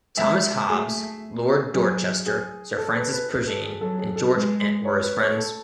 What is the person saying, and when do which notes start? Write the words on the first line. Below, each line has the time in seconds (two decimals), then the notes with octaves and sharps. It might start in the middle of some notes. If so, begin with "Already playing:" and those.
Thomas Hobbes, Lord Dorchester, Sir Francis Prujean and George Ent were his friends.
0.17 G#3 E5
0.70 A3 G#4
1.74 F#3 G#4
2.26 G#4
2.78 A4
2.95 B4
3.13 B4
3.29 B4
3.47 A4
3.64 G#4
3.81 F#3 A4
3.98 G#4
4.16 A4
4.34 G#3 B4
4.85 C#5
5.03 B4
5.20 C#5
5.37 A4